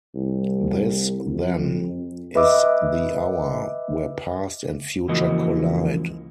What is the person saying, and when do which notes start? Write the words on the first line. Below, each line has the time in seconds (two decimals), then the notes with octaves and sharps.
This then, is the hour... where past and future collide!
0.15 C2
1.34 F2
2.35 B4 D#5 E5 D6 E6
5.08 C#2 E3 F3 A#3 F#4 D#5